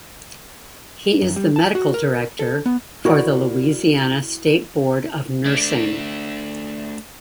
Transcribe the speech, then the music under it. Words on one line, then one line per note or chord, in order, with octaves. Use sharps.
He is the medical director for the Louisiana State Board of Nursing.
F#2
G3
A5
F#4
A#4
A4
B3
E4 F#4 A#4 D5 F#5
A3 D4